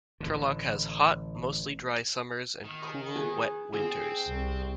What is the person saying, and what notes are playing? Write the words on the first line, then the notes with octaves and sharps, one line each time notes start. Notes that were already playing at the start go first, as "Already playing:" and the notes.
Turlock has hot, mostly dry summers and cool, wet winters.
A1 D3
D#3
G#4 B4
C4 G#4
C2